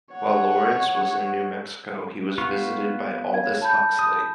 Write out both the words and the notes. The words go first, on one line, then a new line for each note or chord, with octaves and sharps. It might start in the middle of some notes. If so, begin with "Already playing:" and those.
While Lawrence was in New Mexico, he was visited by Aldous Huxley.
C#5 F#5
B3 F4 C#6
C#5 F5 G#6
A5 B5 G6
D#6